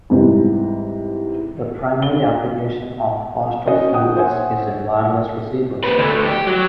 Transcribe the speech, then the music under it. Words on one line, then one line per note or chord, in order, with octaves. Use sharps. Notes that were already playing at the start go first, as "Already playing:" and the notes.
The primary application of Costas loops is in wireless receivers.
G#2 C3 E3 G3
G7
C4 C#4 F#4 D#5
F#5 G5 D#6
C5 C#5 E5 F#5 G#5
C4 B4
D2 A3
G4
F#3